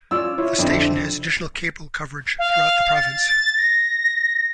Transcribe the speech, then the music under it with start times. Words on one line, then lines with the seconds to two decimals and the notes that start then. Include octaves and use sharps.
The station has additional cable coverage throughout the province.
0.11 C#4 F4 D5 E6
0.38 E4 F4 C#5
0.58 F2 D3 C4 E4 D5
2.39 F5
2.95 A6
3.58 A#6